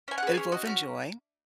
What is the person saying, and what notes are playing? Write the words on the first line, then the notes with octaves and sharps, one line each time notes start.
that we both enjoy.
C#4 G#5
F#5
G#4 B4
C#4 C#5
F#4 D#5
C#4